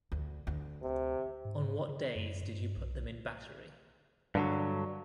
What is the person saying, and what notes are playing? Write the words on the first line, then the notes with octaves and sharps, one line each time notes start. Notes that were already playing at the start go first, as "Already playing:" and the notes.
On what days did you put them in battery?
D2
D2
C3
G#2
C#3
F#2
G2
B1
G2 D3 F#3